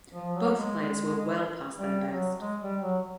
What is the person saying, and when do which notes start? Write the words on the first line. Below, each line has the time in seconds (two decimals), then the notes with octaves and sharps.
Both players were well past their best.
0.14 F3
0.35 F#3
0.55 G#3
1.80 G3
2.10 F#3
2.41 G#3
2.62 G3
2.82 F#3